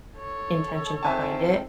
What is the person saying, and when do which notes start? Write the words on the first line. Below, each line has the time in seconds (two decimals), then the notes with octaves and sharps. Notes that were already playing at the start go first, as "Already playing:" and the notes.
intention behind it,
0.18 A4 C#5
1.03 F2 D#3 C4 E5 G#5 A5